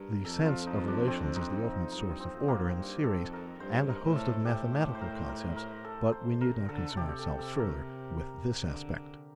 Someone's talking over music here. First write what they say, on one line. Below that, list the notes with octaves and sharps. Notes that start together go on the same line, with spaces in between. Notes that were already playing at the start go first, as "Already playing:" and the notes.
The 'sense' of relations is the ultimate source of order and series and a host of mathematical concepts; but we need not concern ourselves further with this aspect.
Already playing: G2 A#4
F2 A4
F4
D#4
D4
C4
D#4
D#4
G2 D#4
C4
F2
A#3
G2
A4
F2
A#4
G2 C5
A#4
A2
A4
A2 G4
C5
A#4
A#4
A#4
A4
C5
C3 A#4
D3 A4
C3 G4
A4
A4
A#4
D3